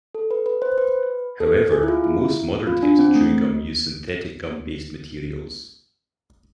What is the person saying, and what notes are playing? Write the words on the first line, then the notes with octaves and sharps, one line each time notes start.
However, most modern types of chewing gum use synthetic gum based materials.
A4
B4
B4
C5
B4
A4
G#4
E4
F4
E4
F4
D4
C4
A3